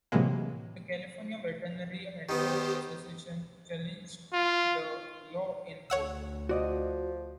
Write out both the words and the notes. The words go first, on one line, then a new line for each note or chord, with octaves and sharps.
The California Veterinary Medical Association challenged the law in court.
A2 C3 E3 F#3 G#3 A#3
D#3 B3 G4 C5
F4
D2 C#5 F#5 E6
F3 F#4 D5 D#5